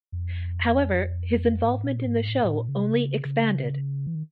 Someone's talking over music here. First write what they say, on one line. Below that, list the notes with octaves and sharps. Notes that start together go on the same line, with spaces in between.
However, his involvement in the show only expanded.
F2
G#2
A#2
G#2
A2
A2
A#2
C#3
C3
C#3
C#3
E3
D#3